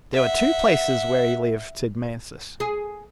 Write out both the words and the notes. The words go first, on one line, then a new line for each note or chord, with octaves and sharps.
"There were two places where he lived," said Mansus.
E5 F#5
G#4